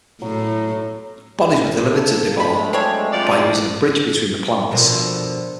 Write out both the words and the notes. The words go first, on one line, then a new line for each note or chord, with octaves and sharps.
Bodies were delivered to De Vaux by using a bridge between the plants.
A2 F#3
A#3 A4
F#3 G#3 A3 B5
C4 D4 C#5
F2 F4 D5
B2 D3 F3 A#4 C5